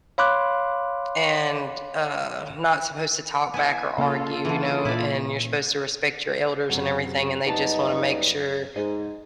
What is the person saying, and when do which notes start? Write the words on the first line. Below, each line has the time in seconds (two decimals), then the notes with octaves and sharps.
and, uh, not supposed to talk back or argue, you know, and you're supposed to respect your elders and everything, and they just wanna make sure,
0.18 C#5 F5 B5 C6 D6 F#6
3.54 B3 E4 G#5
3.98 C#3 A#3 F4 A4
4.45 D3 E3
4.85 A#2 E4 D5
6.70 F#2 C3
7.46 F#2 G3 B3 D#4 A5
8.76 G#2 D#5